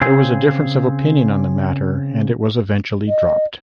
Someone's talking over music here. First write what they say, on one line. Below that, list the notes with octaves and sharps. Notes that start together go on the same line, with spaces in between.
There was a difference of opinion on the matter and it was eventually dropped.
C#3 C4 G#4
D#5